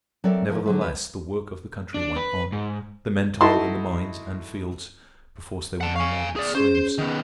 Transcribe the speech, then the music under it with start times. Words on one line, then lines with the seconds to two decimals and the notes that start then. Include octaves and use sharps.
Nevertheless the work of the country went on. The men toiled in the mines and fields--perforce they were no more than slaves.
0.24 F#3 C4 A4 A#4 D5 E5
0.48 D#2 F3 A#4
0.66 D3 F#3 A3
0.81 B4
1.94 D4
2.16 B4
2.52 G#2
3.41 D#4 E4 F#4 A4 A5 C6
5.81 F#5 A5
5.96 F5 G#5 C#6
6.36 G#4 D5
6.55 C#4 G#4 C5
6.98 D#3 B3